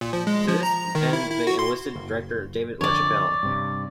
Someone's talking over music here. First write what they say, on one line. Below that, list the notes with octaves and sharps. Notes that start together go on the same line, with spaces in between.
To this end, they enlisted director David LaChapelle.
A#2
F3
G#3
F3
A#5
D#3
E4
E4
F#4
C6
F#1
F2 D3 C#5 D5
G2 C3